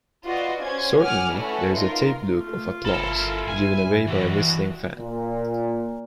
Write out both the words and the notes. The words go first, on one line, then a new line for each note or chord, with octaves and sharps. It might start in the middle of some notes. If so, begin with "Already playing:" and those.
Certainly there is a tape-loop of applause, given away by a whistling fan.
F4 F#4 B4 D5 D#5
C#4 C5 G#6
F#5 G#5 D6 F6
A3 C#4 E4 F#4 A4 B4
D#4 F4 A#4
A3 F4
G1 A4 A#4 E5 B5
G2 G#5
E3 G3 F#4
A#2